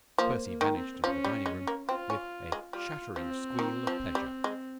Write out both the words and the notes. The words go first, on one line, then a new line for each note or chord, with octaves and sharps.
Percy vanished into the dining-room with a shattering squeal of pleasure.
F3 A#3
A#3
D#3
C4
F3 C#4
G3
G#3
A#3
C4 F4
C#4
G#3
G3 F4
F3 C4
D#3
F3
G3
G#3